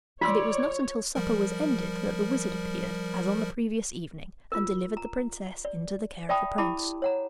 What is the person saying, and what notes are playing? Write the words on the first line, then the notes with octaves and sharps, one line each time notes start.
And it was not until supper was ended that the wizard appeared, as on the previous evening, and delivered the princess into the care of the prince.
F4 C#5 D5 C6 E6
F3 G3 A#4
F4 A#4
A#5
D5
D5 E5 G5 A5 B5 D#6
E4 G4 A5 B5 D6
C#5 F#5 A#5